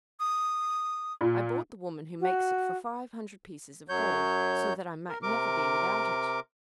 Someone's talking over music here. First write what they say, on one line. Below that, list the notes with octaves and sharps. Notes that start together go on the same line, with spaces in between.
"I bought the woman who makes it for five hundred pieces of gold, so that I might never be without it."
D#6
A#2
F#4
F#2 F#3 C#5 G6
A#4
C3 A#4 D6